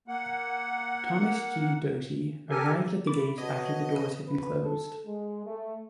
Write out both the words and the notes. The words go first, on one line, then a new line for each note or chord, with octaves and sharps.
Thomas G. Doty arrived at the gate after the doors had been closed.
A#3 F#5
G4 A4 A#4 G#5
D5 B5 D6
F#4 B4 C#5 D#5 A5 D#6
B4
A4
G#3
A3